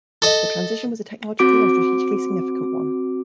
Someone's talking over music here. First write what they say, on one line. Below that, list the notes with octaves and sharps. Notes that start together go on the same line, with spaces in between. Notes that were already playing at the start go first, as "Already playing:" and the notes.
The transition was a technologically and strategically significant one.
A4 D#5
C4 F#4 D6 D7